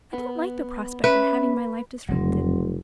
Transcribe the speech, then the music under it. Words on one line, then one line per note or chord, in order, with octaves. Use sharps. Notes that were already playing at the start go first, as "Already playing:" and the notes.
I don't like the prospect of having my life disrupted.
B3
C#4 B4 E5
F1 F2 C#3 F#3 G3 A3 C4